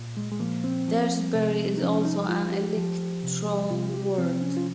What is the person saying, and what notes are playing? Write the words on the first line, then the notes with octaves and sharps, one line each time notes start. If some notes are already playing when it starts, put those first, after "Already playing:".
Daresbury is also an electoral ward.
Already playing: A#2
G#3
G#3
F3 A#3
C4
F3
C3
D#4
F3 C#4
C#4
D#4
F3 F4
G4
F3
C3
C3 F4
G4
F3 C4
C#4
F4